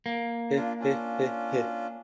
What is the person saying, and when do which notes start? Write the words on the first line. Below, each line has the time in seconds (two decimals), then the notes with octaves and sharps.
Heh heh heh heh!
0.06 A#3
0.57 D4 F4
0.80 C#4 D4 F4